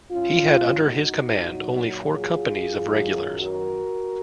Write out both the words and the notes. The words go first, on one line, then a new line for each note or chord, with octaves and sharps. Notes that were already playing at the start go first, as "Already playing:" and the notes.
He had under his command only four companies of regulars.
G#2 F#3 C#4 F4
D#4 F#4
A#2 F#3
F4 G#4
F#2 D#3 F#3
F#4 A#4